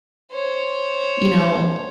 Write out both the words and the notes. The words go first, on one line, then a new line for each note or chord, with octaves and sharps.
you know, uh uh
C5 C#5